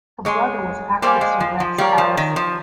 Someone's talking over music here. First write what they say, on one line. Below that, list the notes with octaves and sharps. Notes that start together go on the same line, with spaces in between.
Her brother was actor Sir Rex Harrison.
G#3 C#5 G#5 C6
G3 A#3 C5 F5 G#5
G#3
F3
F3
G3 A#4 C#5 F5
F3
D#3
F3